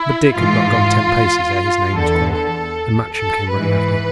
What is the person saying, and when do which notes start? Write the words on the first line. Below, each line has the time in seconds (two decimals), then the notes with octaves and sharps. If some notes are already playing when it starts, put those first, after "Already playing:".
But Dick had not gone ten paces ere his name was called, and Matcham came running after.
Already playing: E4
0.36 G#2 E3 F4
1.94 E2 D3 A4
2.33 A4
3.12 A4
3.52 G#2 E3 B4